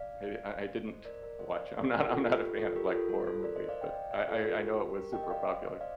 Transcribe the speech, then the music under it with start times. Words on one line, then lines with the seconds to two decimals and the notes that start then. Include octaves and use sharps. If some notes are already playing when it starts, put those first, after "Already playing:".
Maybe I I didn't watch I'm not I'm not a fan of, like, horror movies, but I I I know it was super popular.
Already playing: D5 F5
0.88 C5 D#5
1.05 A#4 D5
1.22 A#4 D5
1.39 C5 D#5
1.56 D5 F5
1.74 A4 C5
1.90 G4 A#4
2.08 F4 A4
2.24 F4 A4
2.41 G4
2.58 F4 A4
2.76 G4 A#4
2.92 F4 A4
3.09 F4 A4
3.26 A4 C5
3.43 A#4 D5
3.56 C5 D#5
3.68 D5 F5
3.81 D#5 G5
3.94 D5 F5
4.11 D5 F5
4.28 F4 A4
4.45 F4 A4
4.62 G4 A#4
4.79 G4 A#4
4.96 G4 A#4
5.13 D#5 G5
5.23 D#5
5.30 D5 F5
5.47 C5 D#5
5.64 C5 D#5
5.81 D5 F5